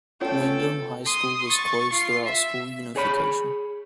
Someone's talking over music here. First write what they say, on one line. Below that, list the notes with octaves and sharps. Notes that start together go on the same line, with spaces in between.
Windom High School was closed through school unification.
A3 B3 C#4 F4 A4 C#5 G5
C6 D#6
C#6 A6
F4 C7
E5
G#4 C#5 B5